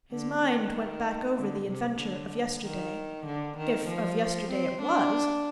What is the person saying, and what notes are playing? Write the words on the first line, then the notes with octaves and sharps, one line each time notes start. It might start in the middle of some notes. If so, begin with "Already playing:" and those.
His mind went back over the adventure of yesterday, if of yesterday it was.
D3
D#3
D3
C3
D3
D#3
D3
D#3
F3
C4
D4